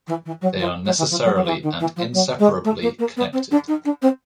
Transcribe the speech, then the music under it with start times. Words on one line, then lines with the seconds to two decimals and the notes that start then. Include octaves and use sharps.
They are necessarily and inseparably connected.
0.07 E3
0.25 E3
0.41 F#3
0.59 F3
0.85 F#3
0.98 E3
1.10 F3
1.24 F#3
1.36 F#3
1.44 F3
1.49 E3
1.63 D#3
1.79 E3
1.96 F3
2.13 F#3
2.39 G#3
2.64 A3
2.82 A#3
2.99 A#3
3.17 B3
3.33 C4
3.51 D4
3.68 D#4
3.85 D4
4.02 C4